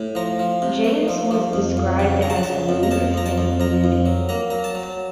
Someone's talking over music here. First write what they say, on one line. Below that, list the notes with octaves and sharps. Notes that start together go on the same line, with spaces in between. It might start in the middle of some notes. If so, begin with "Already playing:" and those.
James was described as aloof and moody.
Already playing: A2
F3 A#5
F3
C3
A3
F3
F3
F2
F2
C#3
C#3 A#5
A5
F#5
C#3 A5
F2
A#5
F2 A5
F2 A#5
A5
F2
F2 A#5
F2
F#3
A#3 A#5
F#3 A#5
A5
F#3